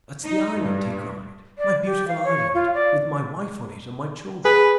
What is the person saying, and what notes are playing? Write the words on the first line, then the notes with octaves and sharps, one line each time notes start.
"That's the island," he cried, "my beautiful island, with my wife on it and my children."
D#4
G2
D5
G4
F5
C#5
F4
D5
G#4 B4